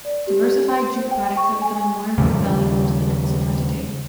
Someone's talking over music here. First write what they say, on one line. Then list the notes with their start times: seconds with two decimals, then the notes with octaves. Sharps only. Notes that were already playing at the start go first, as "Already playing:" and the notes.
Diversified jute products are becoming more and more valuable to the consumer today.
0.05 D5
0.27 G4
0.68 C6
0.96 C5
1.11 G5
1.37 C#6
1.62 G#5
2.17 D#2 C#3 F3 G3